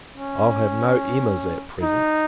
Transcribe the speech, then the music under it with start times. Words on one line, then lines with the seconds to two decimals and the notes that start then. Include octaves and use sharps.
I'll have no Emmas, at present.
0.16 C#4
1.82 D#4